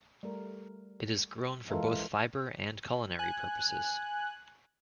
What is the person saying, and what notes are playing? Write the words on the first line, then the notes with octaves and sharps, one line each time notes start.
It is grown for both fiber and culinary purposes.
G3 A3 A#4
E3 G#3 F4 A4 A#4 E5
G#5 F#6